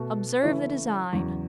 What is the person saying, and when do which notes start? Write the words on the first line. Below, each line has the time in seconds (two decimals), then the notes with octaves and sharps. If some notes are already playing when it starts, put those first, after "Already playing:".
Observe the design!
Already playing: B2 A3 F#4
0.43 C#3 E3 A3 E4 C#5
1.13 E2 C#3 F#3